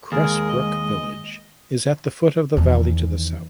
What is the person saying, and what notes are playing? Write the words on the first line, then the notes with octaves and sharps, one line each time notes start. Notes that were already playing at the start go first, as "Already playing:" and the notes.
Cressbrook village is at the foot of the valley to the south.
D#2 G#3 G#4 A#4
D#5
E2 D#3